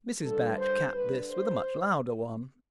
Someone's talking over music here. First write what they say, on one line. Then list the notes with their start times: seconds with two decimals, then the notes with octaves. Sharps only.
Mrs. Batch capped this with a much louder one.
0.22 G2 D3 A4
0.57 C5
0.92 G2 D3 B4
1.28 C5